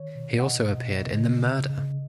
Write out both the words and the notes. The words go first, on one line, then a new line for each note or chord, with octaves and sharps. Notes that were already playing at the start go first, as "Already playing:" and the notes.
He also appeared in the Murder!
Already playing: D#3 C#5
B2
F#5
B2 D#5
B2
C#3
C#3
C#3